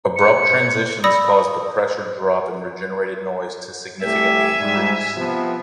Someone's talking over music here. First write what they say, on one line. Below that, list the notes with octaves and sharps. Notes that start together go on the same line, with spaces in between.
Abrupt transitions cause the pressure drop and regenerated noise to significantly increase.
C#7
D5 B5 D#6 E6 A#6
C2 A3 G4 E5 G#5
G#2 G3
C3 F3 B3